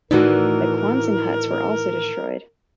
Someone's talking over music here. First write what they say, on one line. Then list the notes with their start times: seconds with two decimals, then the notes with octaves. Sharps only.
The Quonset Huts were also destroyed.
0.11 A2 D#3 E3 D#4 F#4 A#4 D5